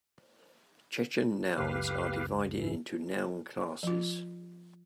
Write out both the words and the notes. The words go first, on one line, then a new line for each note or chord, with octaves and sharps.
Chechen nouns are divided into noun classes.
C#2 F#2 C#3 G4 B4 F5
G#2 E3
F3 F4